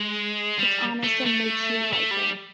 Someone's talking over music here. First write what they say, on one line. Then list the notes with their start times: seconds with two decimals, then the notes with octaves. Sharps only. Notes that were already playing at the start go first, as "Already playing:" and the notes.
It's honest and makes you like it.
Already playing: G#3
0.58 G3
1.04 A3
1.26 A3
1.93 A3
2.11 G3